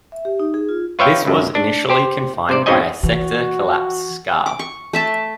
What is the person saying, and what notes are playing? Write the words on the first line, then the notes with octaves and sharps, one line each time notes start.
This was initially confined by a sector-collapse scar.
E5
G4
D#4
G#4
F4
F4 B4 C#5 E5 F5 G5
C#2 F#2
D4
G4 C5
C3 C5 D5
G#2 B2 C4 C#4 D#5 G#5
E3 F#4
D6
C#6
A3 E5 A5